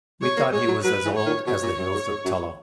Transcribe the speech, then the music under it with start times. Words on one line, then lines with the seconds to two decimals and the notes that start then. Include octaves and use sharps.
We thought he was as old as the Hills of Tullow.
0.22 G#3 C#5
0.37 A#3
0.52 G#3 C#5
0.68 F#3
0.84 F#3 B4
1.05 E3
1.16 C#5
1.26 D#3
1.47 B2 C#5
1.62 A#2
1.78 F#2
1.94 G#2
2.09 G#2
2.25 F#2